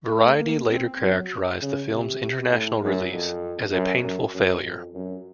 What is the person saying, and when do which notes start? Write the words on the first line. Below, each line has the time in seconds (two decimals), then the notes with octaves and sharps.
"Variety" later characterized the film's international release as "a painful failure".
0.10 A3
0.40 A#3
0.71 C4
1.01 F#3
1.62 C#3
1.91 C3
2.52 A2
2.83 F#2
3.12 F2
3.73 F#2
4.04 F#2
4.34 F#2
4.64 F2
4.94 F#2